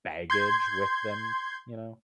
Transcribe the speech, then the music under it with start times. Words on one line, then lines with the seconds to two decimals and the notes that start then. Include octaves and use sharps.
baggage with them, you know.
0.30 C6 G6 G#6